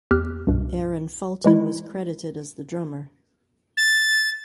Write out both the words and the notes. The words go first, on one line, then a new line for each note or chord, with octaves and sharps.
Aaron Fulton was credited as the drummer.
E2 G4 F6 F#6
C2 G2 B2
E3 G#3 E4
A6